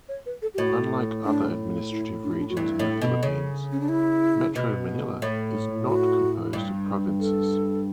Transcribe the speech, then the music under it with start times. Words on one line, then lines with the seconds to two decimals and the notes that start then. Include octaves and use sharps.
Unlike other administrative regions in the Philippines, Metro Manila is not composed of provinces.
0.09 C#5
0.26 B4
0.42 A4
0.54 G4
0.58 A2 F#4
1.25 D4
1.91 E4
2.24 D4
2.32 E4
2.39 D4
2.50 F#4
2.57 G2 E4
2.79 A2
3.02 B2
3.23 C#3
3.72 C#4
3.80 D4
3.89 E4
4.56 B2
5.22 A2
5.87 F#4
6.53 G2
7.20 A4